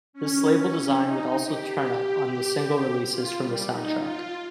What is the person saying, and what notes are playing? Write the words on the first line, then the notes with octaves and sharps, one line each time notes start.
This label design would also turn up on the single releases from the soundtrack.
C#4
C#4
D#4
G4
F4
G3
D#4
F4